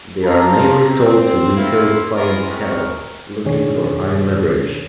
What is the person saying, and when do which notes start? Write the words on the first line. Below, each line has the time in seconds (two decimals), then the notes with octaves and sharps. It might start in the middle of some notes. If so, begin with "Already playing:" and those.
They are mainly sold to a retail clientele looking for high leverage.
0.23 F4 A5 A#5
0.89 C4
1.56 A#3 C4 E4 F4
2.14 B3 E4 F4 G#4 A#4
2.48 G#3 C4 F#4 A#4
3.44 F2 B2 D#3 D4 G#4 C#5